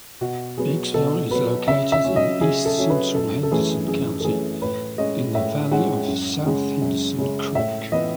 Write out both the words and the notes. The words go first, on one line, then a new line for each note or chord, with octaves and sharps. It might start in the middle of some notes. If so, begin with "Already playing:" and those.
Biggsville is located in east-central Henderson County in the valley of South Henderson Creek.
B2 F#4
F#3 B3 G#4
B2 A4
F#3 B3 B4
C#3 E5
E5
F#3 C#4
D#5
C#3 G#4
A4
F#3 C#4
B4
F#2 A4
A4
E3 A3 C#4 G#4
F#2 G#4
A4
E3 A3 C#4 G#4
A2 B4
G#3 C#4 D#5
A2 E5
G#3 C#4 F#5
F#2
C#3 G#3
F#2
C#3 G#3
A2 E5
E3 B3 D#5